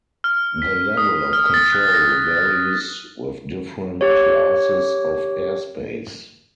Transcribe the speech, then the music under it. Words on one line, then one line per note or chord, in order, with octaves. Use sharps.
The level of control varies with different classes of airspace.
F6
B6
D#6
F6
A6
F#6
A#6
G4 C#5